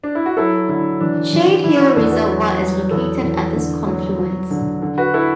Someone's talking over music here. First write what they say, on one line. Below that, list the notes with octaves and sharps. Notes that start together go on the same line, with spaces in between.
Shadehill Reservoir is located at this confluence.
D4
E4
F#4
F#3 E4 A4
D3 E4
E3 D4
E3
E3 E4
D4 F#4
E2 A4 D5
F#4 B4
F#3
F#3
E2 E4 A4
E2
D3
F#3
F#3
D3
D3
F#4 B4
E4 A4